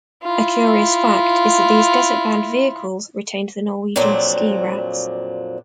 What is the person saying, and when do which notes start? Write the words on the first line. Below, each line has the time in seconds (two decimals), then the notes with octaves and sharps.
A curious fact is that these desert-bound vehicles retained the Norwegian ski-racks.
0.23 E4 F4
3.96 F2 A#2 F3 F#3 D4